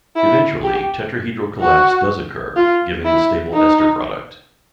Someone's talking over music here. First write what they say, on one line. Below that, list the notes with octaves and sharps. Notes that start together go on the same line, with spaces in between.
Eventually tetrahedral collapse does occur, giving the stable ester product.
E4
G4
F#4
F4
E4
D#4